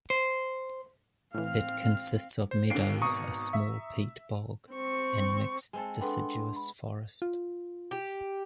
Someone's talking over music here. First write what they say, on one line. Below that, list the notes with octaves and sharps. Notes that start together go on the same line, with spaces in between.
It consists of meadows, a small peat bog and mixed deciduous forest.
C5
A2 E3 C4 F5 F6
C5
D#2 D3 C7 D7
G#1 B2 A#5 C#6 D#6
E5
C4 C#6
G#3 C4 A4
B3 D4 A4 B4 G5 C6
B5
F4
G4